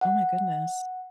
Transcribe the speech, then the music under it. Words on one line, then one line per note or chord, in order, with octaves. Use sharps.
Oh my goodness.
F#5